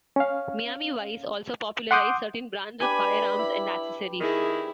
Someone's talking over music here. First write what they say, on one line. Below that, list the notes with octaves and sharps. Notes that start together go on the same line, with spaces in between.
"Miami Vice" also popularized certain brands of firearms and accessories.
C#4 F5
F#5 C6 D6 D#6 G6
D4 G4 B4 G#5 B5
E4
D#3 E4 G#4